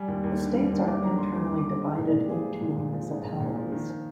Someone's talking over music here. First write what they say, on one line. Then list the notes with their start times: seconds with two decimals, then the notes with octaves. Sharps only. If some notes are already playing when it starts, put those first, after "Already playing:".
The states are internally divided into municipalities.
Already playing: G3 G#5
0.08 D#2
0.24 D#2
0.40 D3
0.55 G3
0.72 D#2
0.87 D#2 D6
1.03 D3 A#5
1.18 G3 C6
1.35 D#2 D6
1.51 D#2
1.58 D6
1.66 D3
1.82 G#3 D#5
1.99 A#2
2.07 D5
2.14 A#2
2.24 G4
2.29 F3 G#4
2.46 G#3
2.61 A#2
2.78 A#2
2.93 F3
3.09 G#3
3.24 A#2
3.40 A#2
3.56 F3
3.72 D#3